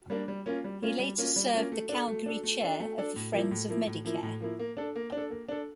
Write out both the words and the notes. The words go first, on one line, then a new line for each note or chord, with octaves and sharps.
He later served the Calgary chair of the Friends of Medicare.
G3 A#3 D4
G3
A#3 C#4 F4
G3
A#3 C#4 F4
G3
A#3 C#4 F4
G3
A#3 C#4 F4
A3
D4 A4
A3
D4 A4
A3
D4 A4
A3
D4 A4
A2
F3 A#3 E4
A2
F3 A#3 E4
A2
F3 A#3 E4
A2
F3 A#3 E4
A#3
D4 A4
A#3
D4
A4
A#3
D4 A4